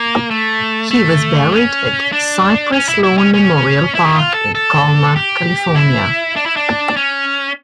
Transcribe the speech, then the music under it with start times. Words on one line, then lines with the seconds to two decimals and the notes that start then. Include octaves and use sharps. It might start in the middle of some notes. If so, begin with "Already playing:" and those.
He was buried at Cypress Lawn Memorial Park in Colma, California.
Already playing: A#3
0.31 A3
0.91 A3
1.52 C#4
2.12 D4
2.72 C#4
2.89 E4
3.03 E4
3.18 C#4
3.34 C#4
3.95 E4
4.05 G4
4.14 F4
4.34 A4
4.55 A4
5.16 G4
5.76 E4
6.36 D4
6.46 E4
6.56 D4
6.96 C#4